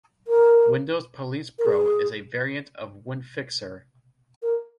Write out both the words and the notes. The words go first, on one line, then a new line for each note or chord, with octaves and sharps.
Windows Police Pro is a variant of WinFixer.
A#4
A#4
G#4
A#4